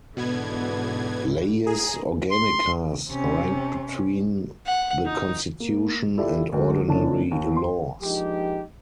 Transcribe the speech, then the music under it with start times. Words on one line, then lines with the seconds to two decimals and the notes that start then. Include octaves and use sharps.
Leyes Organicas rank between the Constitution and ordinary laws.
0.17 G#2 B2 D3 E3 B3 G#6
1.67 G#4 A#5
2.31 C6
3.08 C3 C#4
4.66 F#5
5.05 D#4
5.60 A#3
6.18 E4 F4 G4 A4 D5
6.52 D2 G#3
6.88 F#1 E3 C#4 D4 C#5 A5
7.31 D#2
7.56 C6
8.02 F3 G#3 A#3 D4 D#4 G4